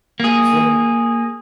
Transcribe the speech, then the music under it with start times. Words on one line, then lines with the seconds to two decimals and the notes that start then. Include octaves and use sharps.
You feel me?
0.20 A#3 G#4